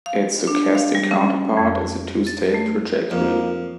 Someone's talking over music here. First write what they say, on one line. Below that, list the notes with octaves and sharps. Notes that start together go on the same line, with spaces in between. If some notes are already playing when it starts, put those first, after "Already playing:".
Its stochastic counterpart is a two-state trajectory.
F5
D4
F5
G3
C#4
F2
A6
A3
F2 A#3